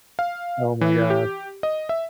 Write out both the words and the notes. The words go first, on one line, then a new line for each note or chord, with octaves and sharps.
Oh my god.
F5
E3
G4
D#5
E5